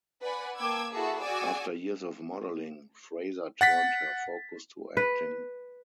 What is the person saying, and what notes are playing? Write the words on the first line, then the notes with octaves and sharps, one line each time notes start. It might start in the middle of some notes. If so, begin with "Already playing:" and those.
After years of modeling, Fraser turned her focus to acting.
B4 D5 F#5 G#5 B5
A#3 G5 A5 D6 E6 G#6
E4 F#4 G#4 A4 E5 A5
F#4 G#4 D5 G#5 D6 E6
F#5 A6 B6
B4